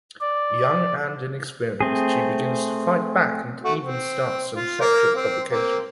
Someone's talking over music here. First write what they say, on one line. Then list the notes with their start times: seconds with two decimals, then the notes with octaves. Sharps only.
Young and inexperienced, she begins to fight back and even starts some sexual provocation.
0.21 D5
1.81 A3 C4 G#4
3.64 A3 F#4
3.80 C4
4.54 F4
4.81 A#3 A#4
5.16 C4
5.51 A#3 C4